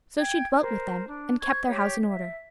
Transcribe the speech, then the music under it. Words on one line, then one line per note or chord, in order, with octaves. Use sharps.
So she dwelt with them, and kept their house in order.
G5 G#6
A#4 C5
D4
C5 C#6 G#6
G4 C#5
E5